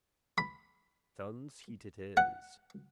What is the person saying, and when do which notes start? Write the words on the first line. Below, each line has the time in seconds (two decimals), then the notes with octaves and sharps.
Sun's heat it is.
0.38 B5
2.17 F#5